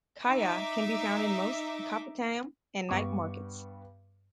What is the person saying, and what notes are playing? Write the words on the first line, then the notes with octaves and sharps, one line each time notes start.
Kaya can be found in most kopitiam and night markets.
D#4 E5 D6
G2 B3 C#6 D6